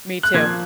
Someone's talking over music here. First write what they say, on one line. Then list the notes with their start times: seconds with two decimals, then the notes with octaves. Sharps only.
me too,
0.23 F#6
0.34 A#2 F3 A#3 G#6